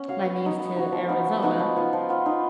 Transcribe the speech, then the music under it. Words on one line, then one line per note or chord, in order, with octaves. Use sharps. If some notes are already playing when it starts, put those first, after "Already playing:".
my niece to Arizona,
Already playing: B3 C#4
F#4 C#5 F5
B3
D#4 F#4
B3
D#4 F#4
F3
B3 D#4 F#4
F3
B3 D#4 F#4
F3
B3 F4
F3
B3 F4
D#4